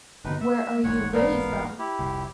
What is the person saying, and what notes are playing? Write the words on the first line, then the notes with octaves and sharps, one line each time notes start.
Where Are You Really From?
G1 B2 D3 D#4 B4
A3 E5
E1 A1 G#2 C#5 F#5
B3 A#4 B4 D5 F5 A#5
E4 G4
F1 C2